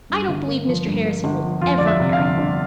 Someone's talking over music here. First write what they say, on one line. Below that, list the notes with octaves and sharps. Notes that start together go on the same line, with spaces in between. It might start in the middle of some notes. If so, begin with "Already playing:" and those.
I don't believe Mr. Harrison will ever marry.
G2
G1
A#3
F3
G2
A#3
G1
F3
F2 F4
G1 D5
E5
C3
F5
G1
G1